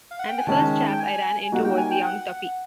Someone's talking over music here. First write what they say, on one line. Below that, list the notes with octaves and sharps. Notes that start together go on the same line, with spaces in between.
And the first chap I ran into was young Tuppy.
F5
F#5
G5
G#5
D#3 G#3 C#4 A5
G5
G#5
G3 A#3 D#4 F#4 F#5
G5
G#5
G5
F#5